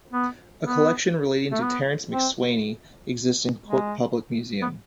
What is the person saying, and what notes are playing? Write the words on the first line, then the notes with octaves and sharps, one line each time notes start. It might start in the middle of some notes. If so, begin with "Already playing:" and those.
A collection relating to Terence MacSwiney exists in Cork Public Museum.
B3
B3
A3
B3
C4
G#3
B3